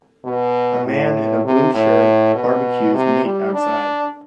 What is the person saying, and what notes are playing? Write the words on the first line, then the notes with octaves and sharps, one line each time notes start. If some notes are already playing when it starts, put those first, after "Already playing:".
A man in a blue shirt barbecues meat outside.
B2
A2
C3
A2
B2
C3
G3
D4